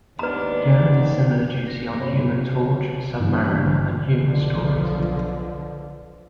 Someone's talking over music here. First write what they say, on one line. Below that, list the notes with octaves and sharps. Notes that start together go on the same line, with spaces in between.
Giella did similar duty on Human Torch, Sub-Mariner, and humor stories.
D#2 G#2 B3 D4 B4 A#5
A#6
C3 C#5 B5
G2 A#2 E3
B1 D3 F3